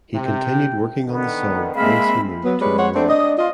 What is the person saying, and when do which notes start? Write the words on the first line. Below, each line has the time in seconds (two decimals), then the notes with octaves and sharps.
He continued working on the song once he moved to New York.
0.14 C3 G5
1.08 D3 D#3 B3
1.75 G#3 A#3 C4 E5 F5 B5
2.44 F#3 B3
2.61 G3 G#3 B4 C#5
2.78 C5 C#5 F#5
2.95 A3 C4 D4
3.09 D#5
3.38 F4 D#5